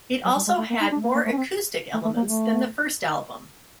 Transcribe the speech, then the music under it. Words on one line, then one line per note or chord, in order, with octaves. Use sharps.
It also had more acoustic elements than the first album.
F#3
G3
G#3
A3
A#3
D#4
D4
A#3
A#3
A3
C#4
C4
A3
A3
A#3
A3